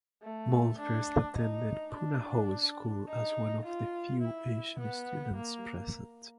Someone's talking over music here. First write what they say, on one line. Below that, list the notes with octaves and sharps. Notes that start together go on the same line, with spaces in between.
Maul first attended Punahou School as one of the few Asian students present.
A3
D4
D#4
D4
D#4
F4
E4
B3
A#3